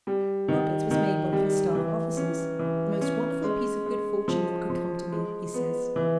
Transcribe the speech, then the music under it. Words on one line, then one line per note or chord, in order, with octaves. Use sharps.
Roberts was made one of his staff officers--"the most wonderful piece of good fortune that could come to me," he says.
G3
D#3
D#3
G3
E3
C#4
E3
C#4
G#3
G#3
F3
F3
G#3
B3
E3